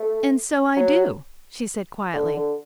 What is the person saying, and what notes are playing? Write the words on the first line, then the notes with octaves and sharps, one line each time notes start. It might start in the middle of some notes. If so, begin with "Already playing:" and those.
"And so I do," she said, quietly.
Already playing: A3
F#3
D3
D3